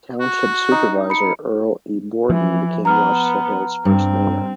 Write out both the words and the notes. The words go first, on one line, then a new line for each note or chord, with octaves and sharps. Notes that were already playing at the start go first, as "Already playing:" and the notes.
Township Supervisor Earl E. Borden became Rochester Hills' first mayor.
F#4
D#4
B5 C#7
E3 F3
B3 A#5 F6
G2 C4